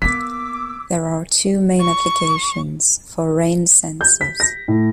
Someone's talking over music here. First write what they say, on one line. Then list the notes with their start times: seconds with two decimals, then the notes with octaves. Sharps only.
There are two main applications for rain sensors.
0.02 A#3 B3 D6 E6 B6
1.80 C#6
4.01 G6
4.21 B6
4.40 A#6
4.68 A2